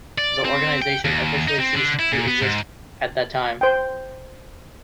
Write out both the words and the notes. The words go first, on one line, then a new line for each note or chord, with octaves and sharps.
The organization officially ceased to exist at that time.
D5
C4
G5
D#2
D#4
C4
D3
E4
A#2
B3
G#2
C5 G5